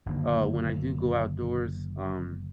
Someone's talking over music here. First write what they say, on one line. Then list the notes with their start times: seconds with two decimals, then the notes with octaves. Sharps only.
uh, when I do go outdoors, um,
0.06 F#1 D3 D#3 A#3